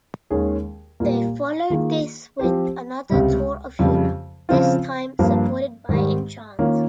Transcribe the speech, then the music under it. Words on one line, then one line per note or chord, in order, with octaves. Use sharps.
They followed this with another tour of Europe, this time supported by Enchant.
D#2 D#3 G#3 C#4 G#4
A#2 G3 A#3
D#3 A#3 F4 G#4
F3 C4 G4 C5
C#2 C3 G3
F2 C#3 G3
C#3 F3 C4 F4
G2 F3 A#3
G#2 D#3 G3
D#3 A#3 C#4 F4